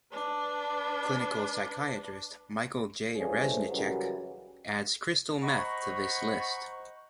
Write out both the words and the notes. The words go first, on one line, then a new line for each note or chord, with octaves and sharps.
Clinical psychiatrist Michael J. Reznicek adds crystal meth to this list.
D4 B4
D2 G2 F3 C#4 G#4
F#2 C#3 E3 F#3 G3
C5 D#5 F#5 A#5 B5 C#6